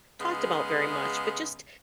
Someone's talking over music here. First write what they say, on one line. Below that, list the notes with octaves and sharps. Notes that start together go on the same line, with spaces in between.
talked about very much, but just
C#3 G#3 B3